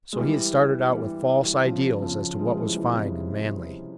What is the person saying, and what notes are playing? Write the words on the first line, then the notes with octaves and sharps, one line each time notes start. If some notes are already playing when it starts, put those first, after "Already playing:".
So he had started out with false ideals as to what was fine and manly.
G#3
E3 G3
E3 G3
E3 G3
C#3 F3
C#3 F3
F3 G#3
E3 G3
E3 G3
C3 E3